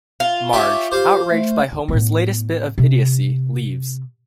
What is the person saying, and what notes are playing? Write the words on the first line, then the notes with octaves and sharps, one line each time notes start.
Marge, outraged by Homer's latest bit of idiocy, leaves.
F4
C#4 G4 E5
G4 C5 F5
A3
A2 B3
C3